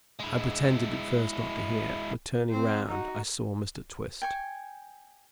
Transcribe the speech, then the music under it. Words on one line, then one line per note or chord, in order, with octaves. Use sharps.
I pretended at first not to hear, but, turning round, I saw Mr Twist.
G#3 E4
C4 C5
D#4 F#4
G5 G#5 C#6